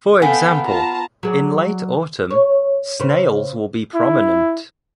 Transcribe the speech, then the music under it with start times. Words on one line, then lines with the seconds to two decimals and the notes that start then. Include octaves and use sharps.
For example, in late autumn, snails will be prominent.
0.22 B3 A4 F5 G5 G#5
0.67 F4 A5 A#5
1.23 F#3 G#4 D5
2.30 C#5
2.99 C#3 C5
3.95 E4